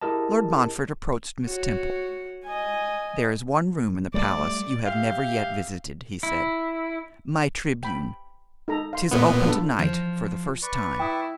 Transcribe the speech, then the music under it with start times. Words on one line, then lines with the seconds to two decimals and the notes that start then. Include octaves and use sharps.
Lord Montfort approached Miss Temple. 'There is one room in the palace you have never yet visited,' he said, 'my tribune; 'tis open to-night for the first time.'
0.01 E4 G4 G#4 A#4 D#5 A5
1.44 F#4 C#5
2.46 D#5 G#5
4.14 G3 A3 D5
4.86 G4 E5 F5
6.23 E4
7.83 G5 B5
8.68 D#4 A4 A#5
8.93 F5 C6
9.11 A#2 B3
9.46 D4 F4 A4
9.79 F3
10.63 B4 D5 C#6
10.99 E4 G5 D#6